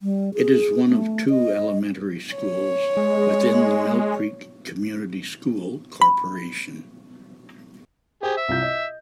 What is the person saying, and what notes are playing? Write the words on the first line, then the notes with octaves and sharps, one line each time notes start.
It is one of two elementary schools within the Mill Creek Community School Corporation.
G3
G#4
A3
D#5
C#5
G#3
B5
G4 G#4 C5
E5
C2 F4 G6
D#5